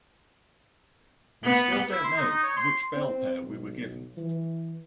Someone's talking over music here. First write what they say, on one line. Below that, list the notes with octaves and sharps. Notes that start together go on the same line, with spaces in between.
We still don't know which Bell pair we were given.
B3
E4
C6
D#4
D#4
C#5
C6
C4
B1
E3